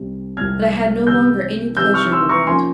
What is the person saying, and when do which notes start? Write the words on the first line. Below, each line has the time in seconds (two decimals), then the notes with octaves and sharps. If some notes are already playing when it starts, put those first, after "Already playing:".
But I had no longer any pleasure in the world.
Already playing: C2 C3 G3 C4
0.37 C2 C3 G3 C4 F6 G#6
1.07 C3 E3 G3 E6 G6
1.77 C3 E3 G3 E6 G6
1.94 C#6 F6
2.12 C6 E6
2.29 A#5 C#6
2.47 F3 A#3 C#4 G#5 C6